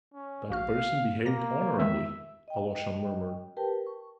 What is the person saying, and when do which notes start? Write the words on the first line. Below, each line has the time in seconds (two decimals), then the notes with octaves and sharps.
"That person behaved honorably," Alyosha murmured.
0.14 C#4
0.50 A#1 F#4 F5 F6
1.26 B2 A#3 A#6
1.78 E2 D#3 G#3 E5
2.48 D#5 G5
3.57 G4 A#4 B4 G5 A5
3.87 C#6